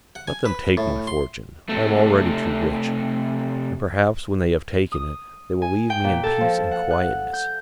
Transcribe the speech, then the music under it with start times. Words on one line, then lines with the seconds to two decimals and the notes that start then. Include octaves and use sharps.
Let them take my fortune, I am already too rich; and, perhaps, when they have taken it, they will leave me in peace and quietness.
0.15 F#5
0.28 G#5
0.46 B4
0.77 A2
1.07 C6
1.70 C3 A3
4.92 D#6
5.62 G#5
5.90 G5
6.04 A#2
6.23 A4
6.41 F3
6.71 F#5
6.91 F#6
7.33 G6